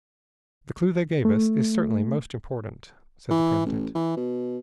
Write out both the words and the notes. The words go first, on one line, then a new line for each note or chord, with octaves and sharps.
"The clue they gave us is certainly most important," said the president.
A3
E3
A1
E3
B2